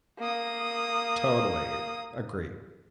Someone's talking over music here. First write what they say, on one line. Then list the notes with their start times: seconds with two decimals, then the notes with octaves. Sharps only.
Totally agree.
0.19 A#3 D#6